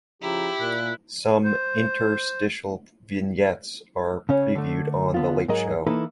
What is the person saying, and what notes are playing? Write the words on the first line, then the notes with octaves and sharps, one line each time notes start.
Some interstitial vignettes are previewed on "The Late Show".
C#3 F3 E4 G4 A#5
A#2 F#6
C5
C#3 C#4
D3 A3
D3 B3 F4
G#2 F#3 G#4 A#4 D#5
E3 A#3 D#4 E4 A4 B4